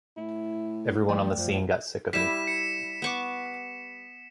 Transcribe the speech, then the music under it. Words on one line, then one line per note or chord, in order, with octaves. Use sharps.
Everyone on the scene got sick of me.
A2 E4
F3 A3 D5 G5
F#2 F3
G3 E4 B6 E7
C#7
B3 C#6 D6